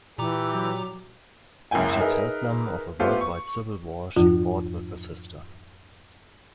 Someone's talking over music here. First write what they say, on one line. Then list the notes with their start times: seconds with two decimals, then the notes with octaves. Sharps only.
She tells them of a worldwide civil war she fought with her sister.
0.18 A#2 E3 G4 A#5 D6
0.53 F#3
1.71 C#2 F#2 A#3 E4 G5 G#5
1.99 D#4 G#4 A#4 B4 E5
3.00 A3 B3 F4 G4 C5
3.21 C#6
4.16 F2 G#2 F3 F4